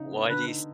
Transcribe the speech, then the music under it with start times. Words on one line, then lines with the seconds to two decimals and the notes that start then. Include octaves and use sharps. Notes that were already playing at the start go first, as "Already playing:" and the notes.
Why do you s
Already playing: C#3 D#4
0.11 B3
0.29 D3 B4
0.48 D#4